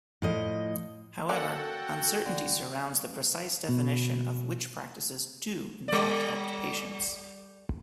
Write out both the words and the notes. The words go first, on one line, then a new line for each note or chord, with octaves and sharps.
However, uncertainty surrounds the precise definition of which practices do in fact help patients.
A2 F3 D#5
A#3 C#4 F#4 A4 D5 F#5 G5
D3
B2
G3 D5